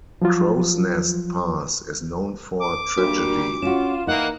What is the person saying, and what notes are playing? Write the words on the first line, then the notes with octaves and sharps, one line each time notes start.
Crowsnest Pass is known for tragedy.
F3 F#3 F4
D6
G3 A#3 D4 F#4
C#4 F4 F#4 E7
D#3 E3 A#3 D#4 D#5 F#5